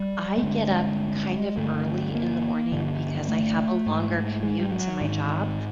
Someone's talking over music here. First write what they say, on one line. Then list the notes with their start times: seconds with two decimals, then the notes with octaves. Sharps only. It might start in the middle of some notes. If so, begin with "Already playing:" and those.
I get up kind of early in the morning because I have a longer commute to my job,
Already playing: G3
0.38 A3
0.42 G2 D3 G#3
1.57 G2 D3 A3
2.15 A#3
2.72 G2 D3
3.28 A3
3.86 G#2
4.43 G#3
4.60 G3
4.72 F#3
5.01 G#2 D#3